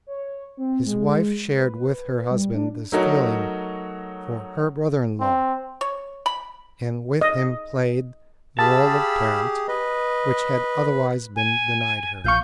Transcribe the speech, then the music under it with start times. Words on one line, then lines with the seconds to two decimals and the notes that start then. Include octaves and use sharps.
His wife shared with her husband this feeling for her brother-in-law, and with him played the role of parent, which had otherwise been denied her.
0.07 C#5
0.57 C4
0.86 G#3
1.56 B4
2.31 G3
2.54 D4
2.92 F#3 A3 D#4 F#4 A#4 C#5
5.20 C4
5.81 C#5
6.26 B5
7.21 D#5
8.59 G4 G#4 F5 A5 B5 E6
9.68 B4 D#5
11.36 G#5
12.24 A#1 F5 C#6 G6